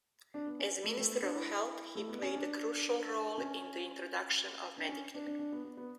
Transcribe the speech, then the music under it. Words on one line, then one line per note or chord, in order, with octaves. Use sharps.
As minister of health, he played a crucial role in the introduction of Medicare.
D4
B3
C#4
A3
A3
B3
D4
E4
A3
B3
C#4
D4
C#4
D4
C#4
D4
D4
D4
B3
B3
B3